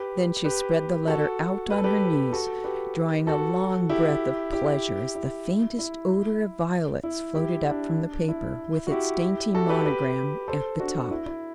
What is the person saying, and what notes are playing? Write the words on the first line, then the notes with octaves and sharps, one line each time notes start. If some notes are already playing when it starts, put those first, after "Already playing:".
Then she spread the letter out on her knees, drawing a long breath of pleasure as the faintest odour of violets floated up from the paper with its dainty monogram at the top.
Already playing: G4 B4
G4 B4
F#4 A4
B4
A4
G4 B4
F#4 A4
G4 B4
F#4 A4
E4 G4
E4 G4
E4
E4
E4
E4 G4
D4
E4
F#4
E4 G4
F#4 A4
G4 B4
G4 B4
A4 C5
D4 F#4
E4
E4